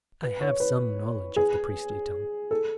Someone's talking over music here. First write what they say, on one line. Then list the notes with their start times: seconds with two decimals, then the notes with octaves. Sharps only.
"I have some knowledge of the priestly tongue."
0.23 B4
0.41 C#5
0.60 B4
1.36 G#4
2.51 A4